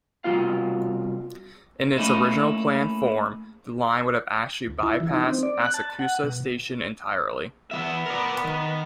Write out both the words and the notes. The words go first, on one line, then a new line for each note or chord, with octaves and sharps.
In its original plan form, the line would have actually bypassed Asakusa Station entirely.
C2 B2 E3 C#4 F4 F5
A3 A#3 C#4 D#4 E4
D2
E4
E3
D#4
C4
D5
F#6
A5
F#5
B2
E2 F3 B3 E5
A#4 D5
D#3